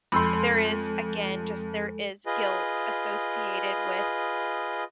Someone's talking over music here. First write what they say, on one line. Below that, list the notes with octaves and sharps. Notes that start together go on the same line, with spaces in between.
there is, again, just there is guilt associated with
F2 G#3 A4 B5 C6 E6 G6
F4 G#4 B4 D#5